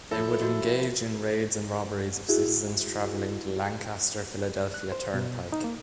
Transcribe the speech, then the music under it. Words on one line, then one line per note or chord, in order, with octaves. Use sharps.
They would engage in raids and robberies of citizens traveling the Lancaster Philadelphia Turnpike.
F3 E4 A4 C5 C#5 E5
F4 F#4 D#5
E5
E4 F#4 G#4
F#6
C5
B2
D#4
A#3